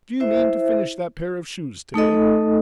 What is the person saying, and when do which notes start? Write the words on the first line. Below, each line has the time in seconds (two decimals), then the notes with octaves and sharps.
"Do you mean to finish that pair of shoes to-day?"
0.20 E4 C5 E5
1.94 A3 D#4 A4 D#5